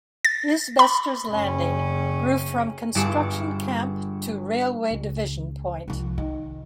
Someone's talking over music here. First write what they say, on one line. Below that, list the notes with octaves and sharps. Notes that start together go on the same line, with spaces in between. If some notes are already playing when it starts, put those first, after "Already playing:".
Isbester's Landing grew from construction camp to railway division point.
A6
B5
F#1 C#4
G1 G2 G#4 D6 C#7 E7
C#2
C2 F3
D#3